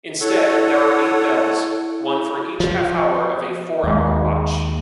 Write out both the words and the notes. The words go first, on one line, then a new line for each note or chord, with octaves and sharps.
Instead, there are eight bells, one for each half-hour of a four-hour watch.
E4 A4 C#5 F#5
F3
D#2 G#3